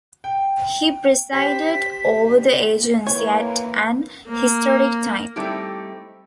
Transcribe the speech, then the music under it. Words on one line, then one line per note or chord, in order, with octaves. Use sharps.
He presided over the agency at an historic time.
G5
G4 C5 B6
E3 A#3 B4 C#5
A#3
G3 A3 C4 D#4 E4 G4